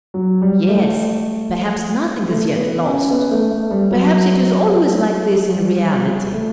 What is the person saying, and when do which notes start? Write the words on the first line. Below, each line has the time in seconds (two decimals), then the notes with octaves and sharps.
Yes! Perhaps nothing is yet lost.... Perhaps it is always like this in reality.
0.14 F#3
0.42 G3
0.69 A3
2.30 A3
2.56 B3
2.84 C#4
3.11 B3
3.31 A3
3.51 A3
3.71 G3
3.91 F#3
5.53 G3
6.34 A3